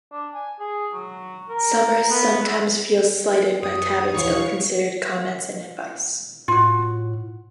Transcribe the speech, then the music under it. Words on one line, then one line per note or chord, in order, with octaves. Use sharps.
Summers sometimes feels slighted by Talbot's ill-considered comments and advice.
D4
G#5
G#4
F#3
A#4
B3
E4
F#2 D#6
D#2 A#2 E3 F3 C#5 F5 C#6
A2 F4 F#4